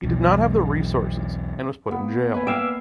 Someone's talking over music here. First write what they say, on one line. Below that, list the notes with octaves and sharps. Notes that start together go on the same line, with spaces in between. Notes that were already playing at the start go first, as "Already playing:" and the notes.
He did not have the resources and was put in jail.
B1 E2
A#3 B3
B4 G#5
D5 E5 F5 G5